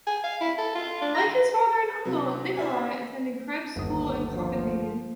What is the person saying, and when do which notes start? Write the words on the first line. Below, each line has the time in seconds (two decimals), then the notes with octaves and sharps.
Like his father and uncle, Nikolai attended Krebs School in Copenhagen.
0.07 G#5
0.24 F5
0.41 E4
0.58 A4
0.75 F4
1.01 D4
1.14 A#5
2.05 C3 F#3 B3 C4 F4 F#4
2.57 F#4 C5 D5 E5 F5 G#5
3.76 G1 D#2 D#6
4.36 F3